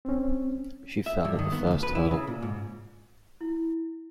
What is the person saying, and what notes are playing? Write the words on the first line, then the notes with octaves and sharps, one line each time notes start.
She fell at the first hurdle.
C4 C#4
E5
G2
D#3
B3
D2
B4
E4
C#3
A#2
G#2
E4